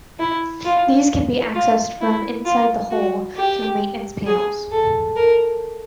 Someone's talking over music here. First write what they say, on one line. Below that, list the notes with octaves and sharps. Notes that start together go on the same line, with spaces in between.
These can be accessed from inside the hull through maintenance panels.
E4
F4
F4
E4
F4
F#4
G4
G#4
A4
A#4